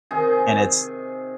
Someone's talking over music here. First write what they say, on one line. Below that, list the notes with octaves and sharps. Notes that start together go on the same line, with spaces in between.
And it's
C3 D#3 G#4